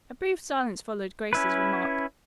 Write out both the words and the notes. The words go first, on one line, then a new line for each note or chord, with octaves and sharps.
A brief silence followed Grace's remark.
C#4 E4 B4